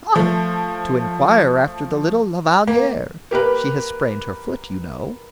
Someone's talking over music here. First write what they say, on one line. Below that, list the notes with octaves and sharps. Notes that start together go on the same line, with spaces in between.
"Ah, to inquire after the little La Valliere; she has sprained her foot, you know."
F3 A3
A#3
A#3 G4 A#4 B4